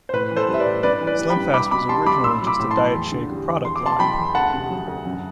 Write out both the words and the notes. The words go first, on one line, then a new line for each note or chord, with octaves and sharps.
SlimFast was originally just a diet shake product line.
C5
A2 B4
E3
A4 C5
G3
E5
B4 D5
A2
G2 B4 D5
E3
B4 D5
G3
G5 B5
G2
C2 B5 D6
B2 B5 D6
G3 A5 C6
C2 B5 D6
A2 C6 E6
F#3
B5 D6
A2
A5 C6
F#3
E2
D3
G3
E2
E2 C6
D6
B2 A5 C6
F#3 G5 B5
E2
D2 F#5 A5
C3
F#3
D2
F#2